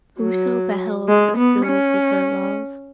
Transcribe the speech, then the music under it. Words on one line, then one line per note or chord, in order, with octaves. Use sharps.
Whoso beheld was filled with her love.
F#3
G#3
B3
C#4